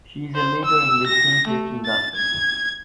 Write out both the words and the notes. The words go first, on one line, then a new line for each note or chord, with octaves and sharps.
She is a leader in the Fintech industry.
C5
E6
A#6
A3
A6
G#6